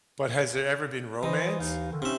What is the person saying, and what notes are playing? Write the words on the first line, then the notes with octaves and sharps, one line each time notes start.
but has there ever been romance?
E3 C5 D#5
D#2 D#4 F5
D3 D#3
C3 C#4 D#4 E5